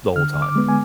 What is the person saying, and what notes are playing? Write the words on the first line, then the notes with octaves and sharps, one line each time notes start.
the whole time.
D3 F6
D6
G#3 B3
G#5